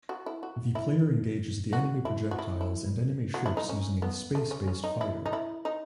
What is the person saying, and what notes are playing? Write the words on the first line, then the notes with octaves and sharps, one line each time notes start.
The player engages the enemy projectiles and enemy ships using a space-based fighter.
F#4
E4
F#4
E4
F#4
E4
F#4
E4
E4
F#4
E4
D#4
C#4
B3
A3
C#4
C#4
D#4
E4
D#4
E4
D#4